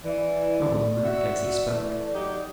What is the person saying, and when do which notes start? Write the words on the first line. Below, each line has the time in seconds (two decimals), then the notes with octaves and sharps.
Roland laughed as he spoke.
0.04 E3 D5
1.04 F#4 E5
1.71 E3 A3
2.14 F#3 D#4 G4